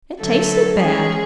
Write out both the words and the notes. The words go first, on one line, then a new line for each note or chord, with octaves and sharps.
It tasted bad.
D3 F#3 A3 A4
E3 G#3 C#4 G#4